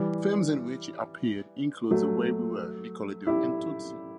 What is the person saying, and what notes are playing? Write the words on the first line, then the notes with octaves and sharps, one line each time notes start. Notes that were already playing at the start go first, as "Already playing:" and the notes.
Films in which he appeared include "The Way We Were", "Nickelodeon", and "Tootsie".
Already playing: E3 G3
F#3 A3
E4 G4